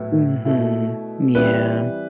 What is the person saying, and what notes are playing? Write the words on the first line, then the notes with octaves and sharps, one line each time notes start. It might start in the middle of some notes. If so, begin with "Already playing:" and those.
Mhm. Yeah.
Already playing: A2 F#3 B3 E4
B2 A3 E4
E3 G3 C4 E4 B4